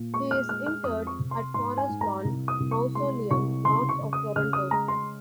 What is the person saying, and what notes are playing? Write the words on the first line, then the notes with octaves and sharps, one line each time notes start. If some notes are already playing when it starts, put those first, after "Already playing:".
He is interred at Forest Lawn Mausoleum north of Toronto.
Already playing: A#2
G#3 C#6
F6
G#3 F6
F6
F2 D#6
C#6
C3
C6
G#2 C6
G#5
G#2
A#5
C2
D#6
C2
C#6
G#3 C6
C2 C#6
C#3 C6
C#6
C#3
D#6
C#3 F6
D#6
G#3 A#5
C6